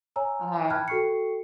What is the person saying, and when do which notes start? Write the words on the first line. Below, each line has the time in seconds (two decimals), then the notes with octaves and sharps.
I know.
0.16 C#5 G#5 A#5 E6
0.70 G5 A5 B5 F6 F#6 G#6
0.88 F#4 A4 G5 C#6 C7 C#7